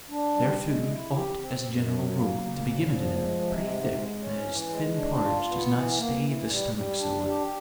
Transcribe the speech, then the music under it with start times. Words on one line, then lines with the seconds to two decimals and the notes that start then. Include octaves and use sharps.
Their food ought, as a general rule, to be given to them pretty thick, as thin porridge does not stay the stomach so well.
0.10 D4
0.36 G3
0.62 G#3
0.87 E4
1.12 G4
1.37 C4
1.63 F#2
1.89 F#3
2.14 A#3
2.40 C#3
2.66 E2
2.91 F3
3.17 G#3
3.41 C3
3.68 G#2
3.93 G#3
4.19 C#4
4.44 E3
4.69 G#3
4.96 D4
5.20 F4
5.47 B3
5.71 E3
5.98 A#3
6.22 E3
6.49 G3
6.74 G3
6.99 D4
7.25 G4